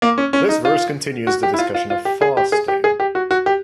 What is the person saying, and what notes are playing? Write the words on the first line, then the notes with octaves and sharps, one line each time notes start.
This verse continues the discussion of fasting.
A#3
C#4
C#4
D#4
F4
F#4
G4
E4
F4
F4
F4
G4
G#4
G4
G#4
G4
G#4
G4
F#4
F#4
G4